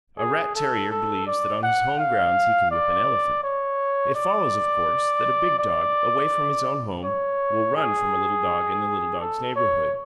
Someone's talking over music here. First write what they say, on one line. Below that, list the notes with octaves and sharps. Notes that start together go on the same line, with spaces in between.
A rat-terrier believes that on his home grounds he can whip an elephant. It follows, of course, that a big dog, away from his own home, will run from a little dog in the little dog's neighbourhood.
G#4
A4
A4
D5
F#5
F5
D5
C#5
D5
D5
C#5
G#4
A4
C#5